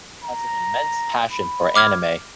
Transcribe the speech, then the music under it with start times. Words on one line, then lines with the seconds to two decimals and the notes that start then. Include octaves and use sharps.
He has an immense passion for anime.
0.25 A#5
1.32 B5
1.75 D6 F6 G#6